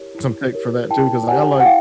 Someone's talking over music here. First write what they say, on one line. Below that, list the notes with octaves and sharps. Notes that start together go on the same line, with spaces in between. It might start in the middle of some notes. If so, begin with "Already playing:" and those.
some tech for that too, 'cause, like, I like
Already playing: E4 G4 A#4 C#5
E4
G4 A#4 C#5
E4 G5 A5
G4 A#4 C#5 F#5 G#5
F#5
E4 F5 G5